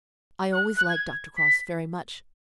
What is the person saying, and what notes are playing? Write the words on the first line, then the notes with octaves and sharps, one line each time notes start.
I always liked Dr. Crofts very much.
F#6
F#6
G#6
B6